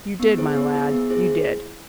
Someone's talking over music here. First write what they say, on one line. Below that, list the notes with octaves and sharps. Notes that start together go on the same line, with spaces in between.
"You did, my lad; you did."
B3
E4 G#4 C5
B3
E4 G#4 C5
B3
E4 G#4 C5